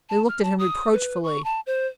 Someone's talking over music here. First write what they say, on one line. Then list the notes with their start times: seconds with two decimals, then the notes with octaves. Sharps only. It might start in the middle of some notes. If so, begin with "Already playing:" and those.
They looked at him reproachfully.
0.09 A5
0.28 F6
0.43 A5
0.59 D#6
0.93 B4
1.23 C#6
1.44 A5
1.67 C5